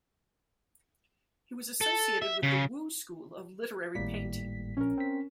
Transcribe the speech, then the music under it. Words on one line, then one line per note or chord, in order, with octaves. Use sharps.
He was associated with the Wu School of literary painting.
A4
E5
C#3
G#1 A2 G3 A#3 B6
A#1 C#4 A#4
C4 B6